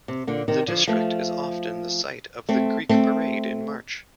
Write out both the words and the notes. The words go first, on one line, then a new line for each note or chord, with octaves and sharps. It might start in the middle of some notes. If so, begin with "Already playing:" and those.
The district is often the site of the Greek parade in March.
C3
A#2 D3
C3 D#3
D3 F3
F3 A3
A3 C4
A3 C4